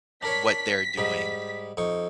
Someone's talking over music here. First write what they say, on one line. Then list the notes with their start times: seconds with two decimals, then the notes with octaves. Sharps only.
what they're doing,
0.23 D4 A#4 C#5 B6
0.98 G#2 G3 D#4
1.77 F2 D#4 C#6